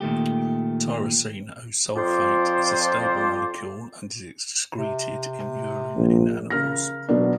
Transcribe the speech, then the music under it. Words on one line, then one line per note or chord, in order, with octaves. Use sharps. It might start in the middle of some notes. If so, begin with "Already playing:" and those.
Tyrosine O-sulfate is a stable molecule and is excreted in urine in animals.
A#2 D#3 A3 G4
F2 F3 C5 D5
C3
A#1
C#3 A#4 F6 A#6
B2 F#3 B3 D4